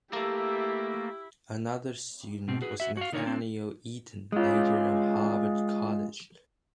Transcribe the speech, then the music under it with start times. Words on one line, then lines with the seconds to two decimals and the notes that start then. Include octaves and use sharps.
Another student was Nathaniel Eaton, later of Harvard College.
0.13 A3 A#3 E4 G4
2.48 B2 C4
2.61 F#4 G#4 B4
2.80 F#4 E5
2.97 F#4 F5
3.12 D3 D#4 A#4 C#5
3.25 C4 D4
4.32 G#3 F4